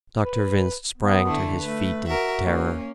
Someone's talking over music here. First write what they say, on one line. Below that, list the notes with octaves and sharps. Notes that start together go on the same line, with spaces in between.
Dr. Vince sprang to his feet in terror.
B4
B3
D3 A3 E4
A3 B4
F#4 A#4 E5
A#3 C#4